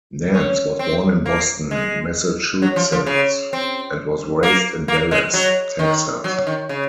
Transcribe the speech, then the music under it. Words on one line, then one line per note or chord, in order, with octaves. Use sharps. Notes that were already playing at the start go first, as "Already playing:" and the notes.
Nance was born in Boston, Massachusetts and was raised in Dallas, Texas.
C#4
C4
A#3
G#3
F#3
F3
F3
C#3
C4
A#3
A#3
G#3
F#3
D#3
F#3
D#3
C#3